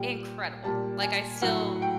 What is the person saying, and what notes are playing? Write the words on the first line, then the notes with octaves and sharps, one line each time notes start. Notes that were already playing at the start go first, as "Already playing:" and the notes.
incredible, like, I still
Already playing: A#2 G3 G5
A#2 G3 A5
G#5
A2 F#3 F#5
G5